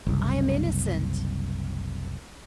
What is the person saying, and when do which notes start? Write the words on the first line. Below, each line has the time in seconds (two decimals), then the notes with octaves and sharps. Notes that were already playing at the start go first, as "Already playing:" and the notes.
"I am innocent."
0.07 F#1 C2